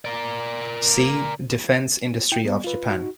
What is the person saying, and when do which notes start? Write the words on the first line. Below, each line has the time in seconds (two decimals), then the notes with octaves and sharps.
See: Defense industry of Japan.
0.05 A#4 D5
2.32 E4 G5
2.45 G3 B3
2.64 F4 B4
2.88 D#4 F#4